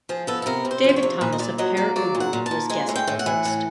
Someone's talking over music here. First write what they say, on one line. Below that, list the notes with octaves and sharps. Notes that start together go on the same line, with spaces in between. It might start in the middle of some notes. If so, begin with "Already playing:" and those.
David Thomas of Pere Ubu was guest vocalist.
F3 G#4
B3 A4
A4
C3 A#4
C3
C5
F3 C5
C#5
C3
A#2 B4
D#5
A#2 D5
F#3 D#5
A#3 D5
F#3 D5
A#2
F#5
A#2
A5
A#2
G#3 G#5
A2
G5
A2
F#5
E3
A2